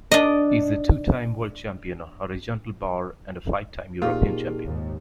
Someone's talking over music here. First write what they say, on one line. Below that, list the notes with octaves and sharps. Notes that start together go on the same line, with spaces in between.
He is a two-time World Champion on horizontal bar and a five-time European Champion.
D4 D#5
A#2 D#4 F4 G4 G#4
D#2 G#2